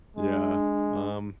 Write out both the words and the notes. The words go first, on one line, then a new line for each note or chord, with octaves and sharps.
Yeah, um
G#3 D4